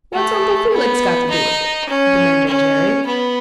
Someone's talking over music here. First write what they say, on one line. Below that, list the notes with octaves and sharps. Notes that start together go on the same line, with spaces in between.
"What's Uncle Felix got to do with it?" demanded Jerry.
A3
B3
D#4
C#4
C#4
B3